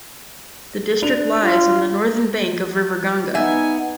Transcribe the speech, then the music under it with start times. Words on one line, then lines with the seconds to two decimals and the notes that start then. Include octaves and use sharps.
The district lies on the northern bank of river Ganga.
1.02 D4 F7
1.43 F4
3.35 B3 D#4 E5 G#5